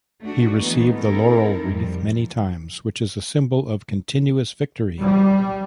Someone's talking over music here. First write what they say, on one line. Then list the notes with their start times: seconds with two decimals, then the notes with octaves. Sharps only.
He received the laurel wreath many times, which is a symbol of continuous victory.
0.21 A3 D4 F#4
0.59 D3 E3 G#3 A3 B3 D#4
0.96 C4 D#4 E4 A4 A#4
1.59 F2 F3 G3
5.01 G3